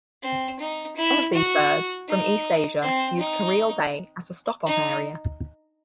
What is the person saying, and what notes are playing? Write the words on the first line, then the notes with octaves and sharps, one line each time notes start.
Some of these birds, from East-Asia, use Careel Bay as a stop off area.
C4
D#4
E4
F#4
D#4
C4
D#4
D#4